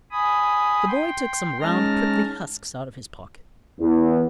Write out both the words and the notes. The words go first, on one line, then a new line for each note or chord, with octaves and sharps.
The boy took some round prickly husks out of his pocket.
G#5 B5 D#6
G5 C6
G#3 C#4 D#4 A5 F6 A#6
E2